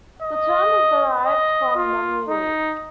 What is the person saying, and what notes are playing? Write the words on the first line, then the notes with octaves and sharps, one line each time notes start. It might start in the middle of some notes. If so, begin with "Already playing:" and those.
The term is derived from memory leak.
D#5
D#5
F4
D#4